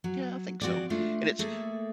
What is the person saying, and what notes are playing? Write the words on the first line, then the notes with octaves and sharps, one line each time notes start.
Yeah, I think so, and it's b
F#3
F3 C4 F#4 G#4 D5
A3 D4 F4
A3 A#3 G#4 A4